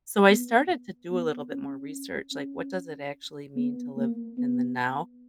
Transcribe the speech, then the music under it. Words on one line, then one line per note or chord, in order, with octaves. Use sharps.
So, I started to do a little bit more research, like, what does it actually mean to live in the now?
B3
B3
C#4
C#4
B3
A#3
B3